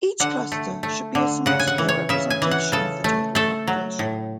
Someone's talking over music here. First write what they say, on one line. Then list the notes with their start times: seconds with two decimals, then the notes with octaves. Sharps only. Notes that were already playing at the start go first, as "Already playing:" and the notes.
Each cluster should be a small-scale representation of the total population.
0.20 D3 F#5
0.52 A3
0.83 A3
1.15 D3
1.46 C#3 F#5
1.59 G#5
1.67 F#5
1.78 E3
1.89 C#5
2.09 C#3 E5
2.30 G#5
2.42 E3
2.51 F#5
2.72 C#3 A4
3.04 A3
3.35 A3 A4
3.67 F#3
3.99 A2